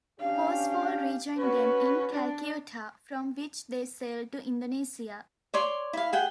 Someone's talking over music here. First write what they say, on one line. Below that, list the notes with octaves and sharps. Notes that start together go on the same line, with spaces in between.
Horsfall rejoined them in Calcutta, from which they sailed to Indonesia.
C#4 D4 G4 F5
C#4 F#4 B4
D4
C#5 D5 C6
E4 F5
G#4 F#5 G5